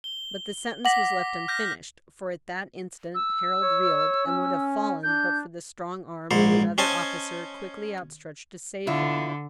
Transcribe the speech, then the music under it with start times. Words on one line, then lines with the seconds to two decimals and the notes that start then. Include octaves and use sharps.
But the sentence was left unfinished; for at that instant Harold reeled, and would have fallen but for the strong arm of another officer quickly outstretched to save him.
0.04 G7
0.85 F#5 D6 A#6 B6 F#7
1.48 F6 G6 A#6
3.15 E6
3.62 C#5
4.26 C#4
5.03 D4 G6
6.31 A#1 G#2 C5
6.78 C#4 C5 D#5 G#5 A5
8.87 B2 D3 E4 F4